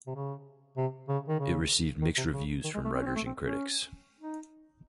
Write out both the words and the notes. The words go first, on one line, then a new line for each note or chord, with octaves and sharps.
It received mixed reviews from writers and critics.
C3
C#3
C3
C#3
D#3
C#3
D#3
C3
C#3
D#3
G#3
A3
C4
C#4
C4
A3
C4
C#4
D#4